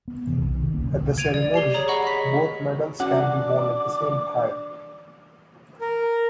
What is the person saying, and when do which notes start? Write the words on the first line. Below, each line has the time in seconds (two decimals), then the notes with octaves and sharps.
At the ceremony, both medals can be worn at the same time.
0.08 B3
0.27 E2 C3 E3
0.41 B1
0.55 D#3
0.73 D#1 C2 A#3 C#4
0.88 B2 D3 E3 F#3
1.18 G#6 D7 D#7 F7
1.34 D5
1.54 G4 C7 G7
1.74 G#4 C#5 A#5
1.88 D#5 F#5 B5 C#6
2.03 D#5 B6
3.00 C#4 D4 F#4 F#5 D6
5.81 A#4